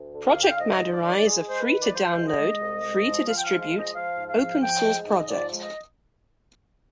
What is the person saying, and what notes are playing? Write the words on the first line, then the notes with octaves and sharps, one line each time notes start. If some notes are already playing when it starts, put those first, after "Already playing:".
Project madurai is a free to download, free to distribute open source project.
Already playing: D2
D3
F5
D3
G5
F5
G#2 D#5
G#2
C5
D5
D#3
B4
G#3 G#4
G#3 C5
B4
D#3
D5
F3 C5
G#3
D#5
G#3
C2
G#3
F3
F3 F5
G5
F5
G#3
F5
F3
D#5
F3 F5
G#2
F5
F3
F3 G5
G#3
G#2
D#5
F3 D5
G#3
D#5